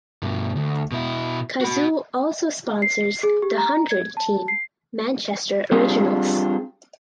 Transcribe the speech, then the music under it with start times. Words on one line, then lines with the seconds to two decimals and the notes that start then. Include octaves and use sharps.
Cazoo also sponsors The Hundred team Manchester Originals.
0.23 G2 B2
0.56 D2
0.92 B2 E4
1.61 F#4 B5
2.82 C7
3.23 G#4
3.42 G4
3.58 A#5
3.91 G#6
4.17 A5
4.48 C7
5.72 G3 C4 D4 F4 G4 G#4